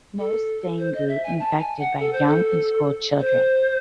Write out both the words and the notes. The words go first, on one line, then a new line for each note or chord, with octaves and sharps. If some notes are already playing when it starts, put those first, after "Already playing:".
Most dengue infected by young and school children.
A4
C5
D#5
E5
G#5
A5
G#5
F#5
A4
C5
A4
C5